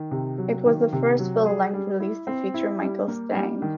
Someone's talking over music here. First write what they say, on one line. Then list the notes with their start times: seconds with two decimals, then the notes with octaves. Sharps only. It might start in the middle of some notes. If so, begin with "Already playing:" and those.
It was the first full-length release to feature Mikael Stanne.
Already playing: D#3
0.11 C3
0.38 F#3
0.66 D#3
0.93 C3
1.19 F#3
1.46 G#4
1.73 G3
2.00 E4
2.27 C4
2.54 E4
2.81 G3
3.08 A#3
3.34 G3
3.62 D#3